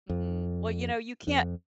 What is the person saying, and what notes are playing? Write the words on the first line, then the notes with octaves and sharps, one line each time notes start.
Mhm, well, you know, you can't
F2
F2